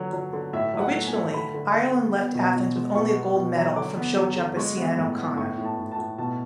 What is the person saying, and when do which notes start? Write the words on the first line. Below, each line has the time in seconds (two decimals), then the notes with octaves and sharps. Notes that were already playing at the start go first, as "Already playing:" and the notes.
Originally, Ireland left Athens with only a gold medal from show jumper Cian O'Connor.
Already playing: D3 F#3
0.13 F#3
0.33 D3
0.53 A2 E5
0.74 F#3
0.80 F#5
0.94 A3
1.07 G#5
1.13 A3
1.34 D3 B5
1.54 D3
1.74 D3
1.95 B3
2.15 B3
2.35 B2
2.56 B2
2.76 G#3
2.95 B2 C#6
3.15 B3
3.36 B2
3.56 F#3
3.76 D3 D6
3.96 B3
4.17 F#3
4.36 D3
4.57 G#3 C#6
4.77 B3
4.97 A2
5.18 B3
5.37 A2 C#6
5.58 A2
5.64 A5
5.78 A2
5.91 A5
5.98 A2
6.18 B2 A5